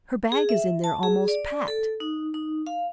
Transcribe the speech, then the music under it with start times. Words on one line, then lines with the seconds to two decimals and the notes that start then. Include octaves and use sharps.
Her bag is in there almost packed.
0.32 G#4
0.49 E5
0.84 A5
1.03 G#4
1.28 D5
1.68 A4
2.00 D#4
2.34 D#4
2.67 F5